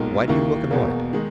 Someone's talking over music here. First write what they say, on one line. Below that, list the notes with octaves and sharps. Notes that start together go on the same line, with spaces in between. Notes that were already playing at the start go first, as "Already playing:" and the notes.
Why do you look annoyed?
Already playing: B1 A#2 G#3 D#4 A#4
D#2 D#3 A#3 E4
E1 E2 B2 A#3
D#3 G#3 D#4